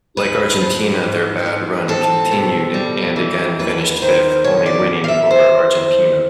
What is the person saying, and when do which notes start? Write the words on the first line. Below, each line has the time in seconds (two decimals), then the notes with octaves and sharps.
Like Argentina their bad run continued and again finished fifth only winning over Argentina.
0.17 D2 B4
0.60 F3
1.03 G#2
1.46 G#2
1.88 C4 A4
2.31 B2
2.74 G3
3.16 E3
3.59 D#2 B4
4.02 D#3 C5
4.44 B2 C#5
4.66 D5
4.87 B2
5.04 F5
5.08 E5
5.30 E3 C5
5.73 F2